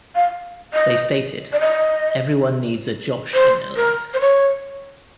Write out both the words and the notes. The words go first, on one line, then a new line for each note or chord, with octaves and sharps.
They stated, Everyone needs a Josh in their life.
F5
D#5
D5
D#5
C5
A#4
C5
C#5